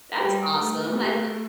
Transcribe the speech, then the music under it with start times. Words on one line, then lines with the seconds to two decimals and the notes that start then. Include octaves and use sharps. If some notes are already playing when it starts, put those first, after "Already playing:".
That's awesome. I li
0.20 G3 G4
0.60 A3
1.00 G4